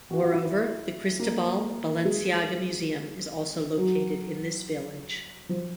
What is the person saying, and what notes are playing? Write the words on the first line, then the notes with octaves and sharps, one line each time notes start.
Moreover, the Cristobal Balenciaga Museum is also located in this village.
F#4
F4
E4
A#3
G#3
F#3
F3